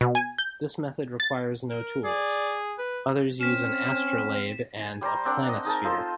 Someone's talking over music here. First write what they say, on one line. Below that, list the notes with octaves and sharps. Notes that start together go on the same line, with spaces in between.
This method requires no tools; others use an astrolabe and a planisphere.
B2
G#5
G6
A6
A#4
G#4 D5
B4
C4 C#4 F6 B6 E7
G#5
G3 C5 D5 A#5
C4 D4 A#4 F#5
D#5
D#4 G#4 A#4 A5
F4 A4 C5 D#5